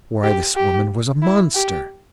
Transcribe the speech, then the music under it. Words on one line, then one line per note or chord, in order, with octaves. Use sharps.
Why, this woman was a monster!
G4
G4
E4
G4